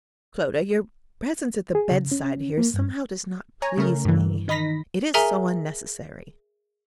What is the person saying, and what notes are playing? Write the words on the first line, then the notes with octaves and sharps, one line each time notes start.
'Clodagh, your presence at the bed-side here somehow does not please me. It is so unnecessary.'
G#4
C#3
C#4
A#3
G2
C#5 G#5 A#5
C#3 A3 A#4
G2 E3
D#3 D#4 B5 A#6 B6
G#4 A#4 E5 G#5 A#5